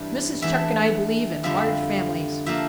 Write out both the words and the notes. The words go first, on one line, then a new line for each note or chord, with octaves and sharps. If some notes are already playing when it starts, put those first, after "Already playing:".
"Mrs. Chuck and I believe in large families."
Already playing: G2 E3 G3
E2 E3 A3 D4 E5
F2 D3 G3 E5
F3 A#3 D4 E5